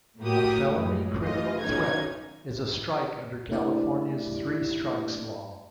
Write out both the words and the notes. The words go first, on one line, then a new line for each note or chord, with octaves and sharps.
A felony criminal threat is a strike under California's three strikes law.
A2 A#3 F#4 G4 D#6
C#2 F#2 A2
A1 F4 D#5
B1 D#3 C#4 D#4 G#6
A3 A#3 D4 E4 G4 D5